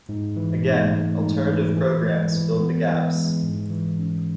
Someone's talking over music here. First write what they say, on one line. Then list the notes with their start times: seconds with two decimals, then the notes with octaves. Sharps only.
Again, alternative programmes filled the gaps.
0.09 G#2
0.37 E3
0.64 G#2
0.92 A3
1.21 G#2
1.48 E3
1.77 E3
2.03 G#3
2.32 E3
2.60 B3
2.88 E3
3.16 G#3
3.43 G#2
3.70 E3
3.99 C#4